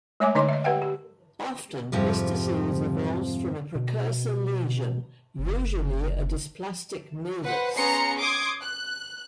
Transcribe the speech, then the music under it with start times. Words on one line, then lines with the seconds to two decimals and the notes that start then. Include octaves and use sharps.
Often, this disease evolves from a precursor lesion, usually a dysplastic nevus.
0.20 G#3 A3 C#5 E5 G#5 D6
0.35 D3 D#4 C#5 D#5 C6 D6
0.49 D#5 E5
0.64 G4 B4 E5 F#5 G5
0.82 G4
1.92 F2 G#2 C3 F3 G3
3.75 B2
5.39 F#1
7.45 B4 C5 F#5
7.76 B3 C#4 G#4 A#5 C6 C#7
8.18 C6 D6 D#6 G#6
8.62 F#6